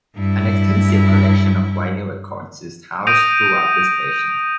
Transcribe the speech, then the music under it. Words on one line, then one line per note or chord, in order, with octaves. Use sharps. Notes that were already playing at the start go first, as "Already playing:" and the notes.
An extensive collection of vinyl records is housed throughout the station.
G2 E4
D#6 G6 A#6 D7 D#7 F7